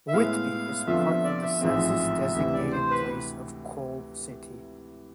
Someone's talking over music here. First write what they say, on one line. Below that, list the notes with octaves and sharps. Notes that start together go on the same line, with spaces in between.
Whitby is part of the census-designated place of Coal City.
E5
A2 G#3 B3 E4 F5
F2 D3 F3 B3 F4 E5
E5
D5
E5
A1 G#2 F3 G#3 C4 E5
D2 C3 E3 E5
D5
C5
B4